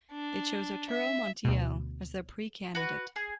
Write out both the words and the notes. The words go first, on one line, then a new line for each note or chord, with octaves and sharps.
They chose Arturo Montiel as their pre-candidate.
D4
E5
D2 B2
F#4 B4
G#4